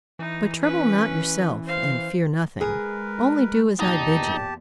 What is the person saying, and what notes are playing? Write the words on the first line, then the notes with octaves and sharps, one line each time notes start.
But trouble not yourself and fear nothing, only do as I bid you.
E3 D#4
C#4 B4
C5 F5
G#3 G#4 A#4 B4
E2 A#2 D#4 G4 A5